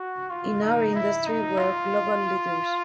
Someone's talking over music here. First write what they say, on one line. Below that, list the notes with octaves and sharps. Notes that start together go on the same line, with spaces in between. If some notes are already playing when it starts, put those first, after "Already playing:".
In our industry, we are global leaders.
Already playing: F#4
F4
D#4
E4
D#4
F4